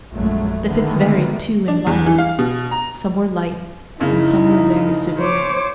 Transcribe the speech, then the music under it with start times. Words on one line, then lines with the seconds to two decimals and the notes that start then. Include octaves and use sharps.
The fits varied too, in violence: some were light and some were very severe.
0.15 A#1 F#2 F#3 G#3 A3
0.64 D3 D#3 G#3 A3 B3
1.68 D4
1.87 E2
2.06 E3
2.18 F5
2.39 B2
2.71 A#5
4.00 F#1 C#3 D#4 E4
5.18 C5 C#5 D6